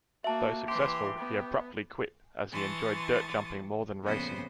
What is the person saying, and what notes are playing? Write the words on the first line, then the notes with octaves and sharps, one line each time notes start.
Though successful, he abruptly quit, as he enjoyed dirt jumping more than racing.
A#3 F#4 E5 A5
E3 G4 C6
B3
E3 A5 C6 C#6 D#6 A6
F2 A#2 C#3 B3 C5 D#6